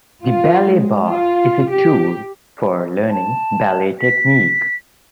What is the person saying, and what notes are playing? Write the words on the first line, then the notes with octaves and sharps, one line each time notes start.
The ballet barre is a tool for learning ballet technique.
F4
G#3
F4
G4
A5
B6